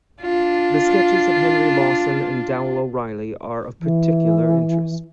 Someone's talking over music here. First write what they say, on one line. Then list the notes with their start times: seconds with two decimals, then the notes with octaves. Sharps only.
The sketches of Henry Lawson and Dowell O'Reilly are of particular interest.
0.21 D4 F4
3.80 E3